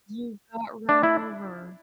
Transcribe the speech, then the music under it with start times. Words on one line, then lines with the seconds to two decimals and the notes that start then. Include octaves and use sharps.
You got run over.
0.89 D4
1.03 E4